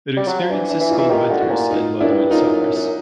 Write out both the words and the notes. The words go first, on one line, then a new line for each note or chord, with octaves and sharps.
It experiences cold winters and moderate summers.
G3
F#3
F3
E3 D4
D4 E4
E3
D#4 F4
E3
D#3 F4 G4
D3
E4 F#4
A#2
D#4 F4
F#2 D4 E4
G2
F#2 D#4 F4
F#2
F#2
F#2